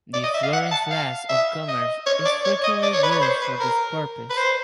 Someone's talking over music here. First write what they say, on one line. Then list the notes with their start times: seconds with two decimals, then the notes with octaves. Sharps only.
The Florence flask of commerce is frequently used for this purpose.
0.13 D5
0.23 D#5
0.34 E5
0.43 F5
0.53 F#5
0.71 A5
0.91 F5
1.29 E5
1.68 D#5
2.06 C#5
2.25 D5
2.45 C#5
2.64 D#5
2.83 D5
2.93 C#5
3.03 B4
3.12 C#5
3.22 C5
3.41 B4
3.60 A#4
4.30 B4
4.38 C5